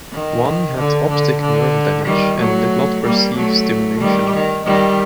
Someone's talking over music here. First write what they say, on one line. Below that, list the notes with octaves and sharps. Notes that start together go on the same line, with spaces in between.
One had optic nerve damage and did not perceive stimulation.
D#3
D3
D3
D3
D#3 G3
F#3 A3
G3 A#3
F#3 A3
D#3 G3
D#3
D#3 G3